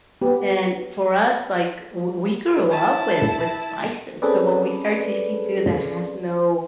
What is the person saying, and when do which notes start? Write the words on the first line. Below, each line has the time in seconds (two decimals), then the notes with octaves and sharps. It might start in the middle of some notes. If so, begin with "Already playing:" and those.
and for us, like, w we grew up with with spices, so when we start tasting food that has no
0.21 B3 G4
2.71 E4 A5
4.22 C4 C#4 G#4 A4 B4 D5